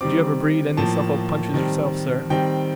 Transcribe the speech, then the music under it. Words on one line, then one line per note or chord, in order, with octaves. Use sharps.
Did you ever breed any Suffolk Punches yourself, sir?'
D#3 G3 C4 D6
A2 F3 A#3 A5
D#3 G3 C4
D#3 G3 C4 G5